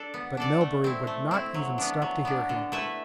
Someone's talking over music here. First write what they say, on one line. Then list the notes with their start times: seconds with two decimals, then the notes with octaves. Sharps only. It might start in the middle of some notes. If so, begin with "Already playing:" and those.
But Melbury would not even stop to hear him.
Already playing: D4 A4 D5
0.14 B3
0.37 D4 A4 D5
0.61 A3
0.84 C4 E4
1.07 A3
1.31 C4 E4
1.54 F#3
1.78 B3 D4
2.02 F#3
2.25 B3 D4
2.49 D3
2.72 A3 E4 B4 E5